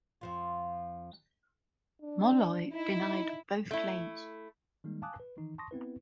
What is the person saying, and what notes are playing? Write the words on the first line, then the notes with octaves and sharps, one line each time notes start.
Molloy denied both claims.
F2 F3 F4
D4
D#4 E4
A3 E4
D#3 G3 G#3 A#3 D#4
F5 G#5 A5 D6 D#6 F#6
B4
D#3 E3 D#4
A5 C6 C#6 D#6 A#6
B3 C4 E4 B4